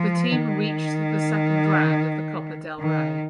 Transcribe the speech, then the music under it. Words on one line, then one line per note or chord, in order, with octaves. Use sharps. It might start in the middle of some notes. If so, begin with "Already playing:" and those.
The team reached the second round of the Copa del Rey.
Already playing: F3
D#3
D#3